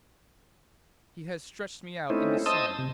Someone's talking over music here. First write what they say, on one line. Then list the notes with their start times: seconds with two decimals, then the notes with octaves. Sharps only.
He has stretched me out in the sun.
2.10 A3 C4 C#4 D#4 E4
2.46 C5 D#5 A5 D#6 E6
2.79 C3